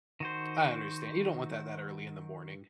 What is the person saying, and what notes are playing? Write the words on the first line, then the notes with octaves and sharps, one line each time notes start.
I understan you don't want that that early in the morning.
D#3 F#4 C5